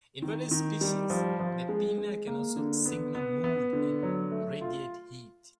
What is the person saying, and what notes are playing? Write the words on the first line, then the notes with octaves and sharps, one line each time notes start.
In various species, the pinna can also signal mood and radiate heat.
D#3
D#3
G3
F3
F3
G#3
G#3
A#3
D3
B3
B3
B3
D3
F#3
A3
F4